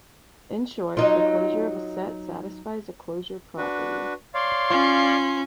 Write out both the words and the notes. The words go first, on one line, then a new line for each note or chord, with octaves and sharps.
In short, the closure of a set satisfies a closure property.
F#3 D#4 F4
D4 F#4 B4
C#5 D5 F5 C6
C#4 F4